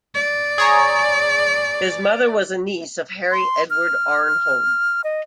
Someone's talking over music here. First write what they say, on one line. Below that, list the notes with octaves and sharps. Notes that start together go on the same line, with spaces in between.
His mother was a niece of Harry Edward Arnhold.
D5
G#4 C#5 A#5
C6
F6
D#5